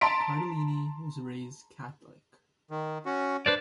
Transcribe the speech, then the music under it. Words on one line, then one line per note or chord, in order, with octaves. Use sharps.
Cardellini was raised Catholic.
A5 A#5 C6 A6 B6 D7
D#3
C#4 F#4
D4 B4 C5 D5